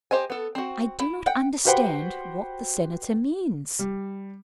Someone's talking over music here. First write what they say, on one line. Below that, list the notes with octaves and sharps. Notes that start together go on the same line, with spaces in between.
I do not understand what the Senator means.
G4 C5 D#5 G#5
B3 A4
C4 F#4
E4
F#5 G5
F#4 G4 B4 C5 F#5 G5
G3